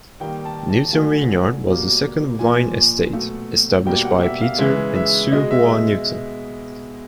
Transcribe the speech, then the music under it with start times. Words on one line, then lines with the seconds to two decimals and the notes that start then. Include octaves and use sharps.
Newton Vineyard was the second wine estate established by Peter and Su Hua Newton.
0.20 D#3 G3 A#3 G5
0.45 A5
0.69 A5
0.93 D3 F#3 A3 G#5
1.67 B2 G3 A#3
2.39 A#2 F3 A#3 G#5
3.13 B2 F#3 A3
3.85 B2 G3 A#3 G5
4.05 F#5
4.23 E5
4.41 F5
4.59 C#3 E3 G#3 E5
4.95 E5
5.32 B2 G#3 D#5
5.51 E5